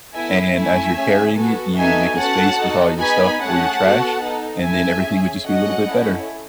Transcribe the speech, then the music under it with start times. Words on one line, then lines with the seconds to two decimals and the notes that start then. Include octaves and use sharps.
and as you're carrying it, you make a space with all your stuff or your trash, and then everything would just be a little bit better.
0.13 B3 E4 A4 E5 G#5
0.54 A3 E4 A4 E5 G#5
0.95 C#4 G#4
1.37 B3 F#4 A4
1.76 B3 D#4 F#4 A4 E5 G#5
2.17 C#4 F#4 A4 F#5 A5
2.58 D#4 F#4 A4
2.99 B3 D#4 G#4 G#5 B5
3.40 A3 C#4 G#4 F#5 A5
3.81 B3 F#4 A4
4.23 D#4 A4
4.62 A3 E4 A4 E5 G#5
5.04 C#4 G#4
5.44 C#4 F#4 A4 D#5 F#5
5.85 C#4 E4 A4